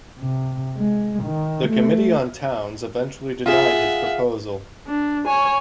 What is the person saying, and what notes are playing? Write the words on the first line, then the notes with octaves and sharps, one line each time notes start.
The Committee on Towns eventually denied his proposal.
C3
G#3
D#3
A3
F4 G#4 E5 F#5
D4
C#5 G#5